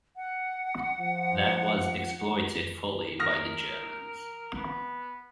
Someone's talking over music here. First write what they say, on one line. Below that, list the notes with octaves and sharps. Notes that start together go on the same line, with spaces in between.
That was exploited fully by the Germans.
F#5
F3
A#4 D#6 F6 A#6
B3